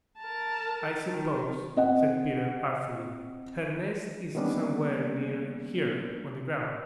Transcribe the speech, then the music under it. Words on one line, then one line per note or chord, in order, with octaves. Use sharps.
"I suppose," said Peter artfully, "her nest is somewhere near here on the ground."
A#4 A5
D#3
C4 D#5 F#5
D#3 G3 A#3 B3 C#4 D4